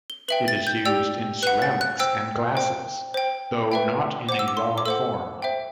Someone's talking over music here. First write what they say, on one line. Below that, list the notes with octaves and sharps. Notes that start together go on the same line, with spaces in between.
It is used in ceramics and glasses, though not in a raw form.
G7
B4 E5 G5 F#7
A6
G6
G4 D5 G5 E6
B4 F#5 F#6
A6
F#6
C5 G5 E6
C5 G5
C5 G5
B4 E5 G5
C5 F#5 D6
E6
D6
C6
D6
A4 C5 F#5 E6
C5 E5 G5